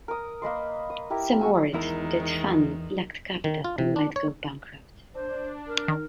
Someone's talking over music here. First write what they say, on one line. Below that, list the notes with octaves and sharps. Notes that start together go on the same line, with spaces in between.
Some worried that Fannie lacked capital and might go bankrupt.
A#4 D#6
A#3 B4 D#5 C6
D#6
E4 G4 A#4
F#4 G#5 E6
E2 D#3 G#3 E4 A#4
D#3
F4
C3
D4
C#5
D4 C5
A#4
D#3